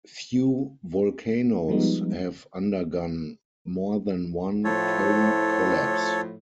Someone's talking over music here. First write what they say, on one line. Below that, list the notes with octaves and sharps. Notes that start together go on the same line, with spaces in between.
Few volcanoes have undergone more than one cone collapse.
F3 G3 G#3 B3 D#4
A2 F3 A4 C#5